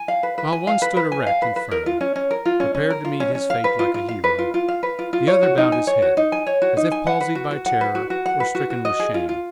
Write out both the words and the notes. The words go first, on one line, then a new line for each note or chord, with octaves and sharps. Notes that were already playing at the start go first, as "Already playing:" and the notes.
While one stood erect and firm, prepared to meet his fate like a hero, the other bowed his head, as if palsied by terror or stricken with shame.
Already playing: G#5
F5
B4
B4
G#5
F5
B4
B4
G#5
F5
B4
B4
A#4
F4
C#4
C#4
A#4
F4
C#4
C#4
A#4
F4
C#4
C#4
F5
B4
F4
F4
F5
B4
F4
F4
F5
B4
F4
F4
C#5
F#4
D#4
G#5
C#5
F#4
D#4
G#5
C#5
F#4
D#4
G#5
F#5
B4
F#4
F#4
F#5
B4
F#4
F#4
F#5
B4
F#4
F#4
D#5
G#4
F4
F4